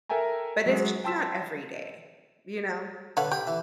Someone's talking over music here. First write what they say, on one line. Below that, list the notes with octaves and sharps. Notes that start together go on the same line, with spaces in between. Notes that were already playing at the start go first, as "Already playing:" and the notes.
But it's just not every day, you know?
A4 A#4 E5 G5 G#5 A#5
F#3 G#3
G5 A5 C6 E6 B6 E7
D3 B4 C#5 F5 F#5
G4 G5 B5
E3